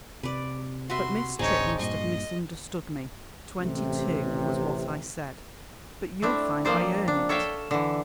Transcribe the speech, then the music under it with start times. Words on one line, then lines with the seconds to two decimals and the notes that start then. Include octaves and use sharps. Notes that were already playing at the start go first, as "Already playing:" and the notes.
But Miss Tripp must have misunderstood me; twenty-two was what I said, but you'll find I earn it.
0.23 C3 B4 D5
0.90 F#4 B4 E5 C6
1.39 D1 A1 C4 D4 D#4 G#4 C#5
1.79 G2 A#2 D#5 C6 C#6
3.60 A1 C3
6.22 A3 C4 D4 E4
6.65 F3 A#3 C4 C5 D5
7.08 D4
7.29 A4 C#5 E5 F5 G5
7.71 D3 E3